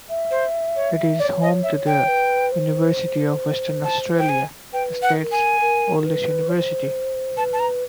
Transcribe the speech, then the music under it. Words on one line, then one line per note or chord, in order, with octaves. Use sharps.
It is home to the University of Western Australia, the state's oldest university.
E5
C5
C#5
C#5 D5
D#5
E5
G5
B4
C5
A5
G5
G#5
B4 G5
F#5
A#4
G#5
A#4
B4
C#5
C5
B4 A5
A5
A#5